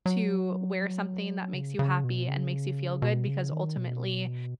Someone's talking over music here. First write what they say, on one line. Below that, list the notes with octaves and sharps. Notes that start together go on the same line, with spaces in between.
to wear something that makes you happy and makes you feel good because ultimately
F#3
C#3
C#3
B2
C#3
B2
C#3
D#3
B2